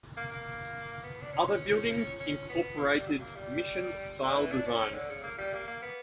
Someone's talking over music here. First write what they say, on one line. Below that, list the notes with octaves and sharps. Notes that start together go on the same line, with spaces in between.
Other buildings incorporated Mission style design.
A#3
A#3
B3
D4
C#4
C#4
C#4
B3
A#3
G3
F#3
A#3
G3
D3
E3
D4
C#4
C#4
D3
C#3
A#3
G3
A#3
A#3
B3